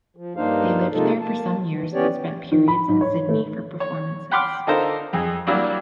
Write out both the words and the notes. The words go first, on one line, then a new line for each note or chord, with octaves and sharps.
They lived there for some years but spent periods in Sydney for performances.
F3
G2 A#3 D4 D#4 C5 F5
C3 G#3 A#3 D#4 F4 A4
A#3 A5
E3
E3 B3 C#4 G4 C#5 D5
D#3
B5
G#2
C#5
A3
C#5
F#5 G5 B5 C6 D6 F6
D3 D#4 F4 A4 A#4 C5
F2 G#4
F#3 G3 A#3 D4 E4 F#4